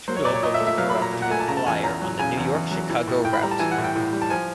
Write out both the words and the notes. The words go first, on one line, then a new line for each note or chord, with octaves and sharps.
Tootle hopes to grow up to be the Flyer on the New York-Chicago route.
F#3 C5
C#5
A#2 D5
C#5
A#2 D#5
E5
A3
E5
F#3 F5
B5
A#2
A#5
A#2
F#5
A3 G#5
A5
C#3 A#5
A5
E2 G#5
E2 A#5
F#3
C#3 G#5
E2
E2
F#3
E3
A2
A2 G5
B5
G3 A#5
A5
E3 G#5
F#5
A2
G5
A2
G3
A5
F3 G#5